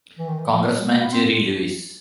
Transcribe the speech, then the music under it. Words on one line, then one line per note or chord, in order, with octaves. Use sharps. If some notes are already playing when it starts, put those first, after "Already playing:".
Congressman Jerry Lewis.
E3
D#3
E3
F3
F#3
G#3
A#3
B3
C4